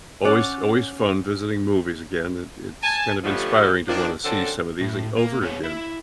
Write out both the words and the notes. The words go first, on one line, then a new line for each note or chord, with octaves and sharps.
Always always fun visiting movies again, it it's kind of inspiring to wanna see some of these a over again.
C#4 D5 F#5
G#5 A5
D3 F3 G3 A3 B3 C#4
D#3 F3 A#3 D4
F#2 D3 C4 A4
A2
A#3
B3 G#4 C#5
E4